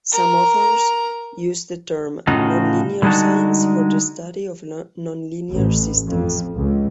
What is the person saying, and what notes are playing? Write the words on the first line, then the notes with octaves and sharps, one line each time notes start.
Some authors use the term nonlinear science for the study of nonlinear systems.
A#4 A#5
A2 C#3 D#4 F4 F#4
D3 G3 G#3 D#4 F#4 A5
A1
F2
C#2